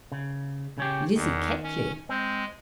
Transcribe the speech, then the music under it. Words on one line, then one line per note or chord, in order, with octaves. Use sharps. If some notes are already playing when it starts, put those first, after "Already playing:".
"Lizzie Keckley."
C#3
C#3 C#4 G4
E2 D#3
C#4
G#3 C4